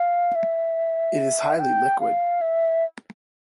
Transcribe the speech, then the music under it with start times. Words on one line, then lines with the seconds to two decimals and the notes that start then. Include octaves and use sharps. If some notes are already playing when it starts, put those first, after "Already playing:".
It is highly liquid.
Already playing: F5
0.35 E5
1.59 G5
2.00 F5
2.41 E5